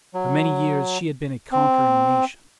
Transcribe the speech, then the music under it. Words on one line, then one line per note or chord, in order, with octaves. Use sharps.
For many years she had been a conquering nation.
F#3
C4